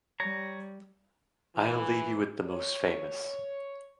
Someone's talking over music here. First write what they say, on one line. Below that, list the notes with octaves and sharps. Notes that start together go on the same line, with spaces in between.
I’ll leave you with the most famous.
G3 C#5 A#5
E3
C#5